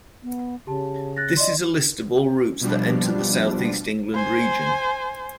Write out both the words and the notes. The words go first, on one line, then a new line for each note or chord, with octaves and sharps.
This is a list of all routes that enter the South East England region.
B3
C#3 G4 A5
F#6 A6 A#6
D5 D#5 C6
B2 F3 G3 D4
C5 G#5